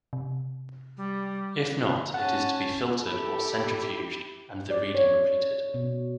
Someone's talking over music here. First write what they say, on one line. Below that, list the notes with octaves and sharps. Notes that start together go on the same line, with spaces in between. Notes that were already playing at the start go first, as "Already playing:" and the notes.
If not, it is to be filtered or centrifuged and the reading repeated.
C3
G3
C#4 F#5 A5
E4 G4 A4
D5
C#5
B2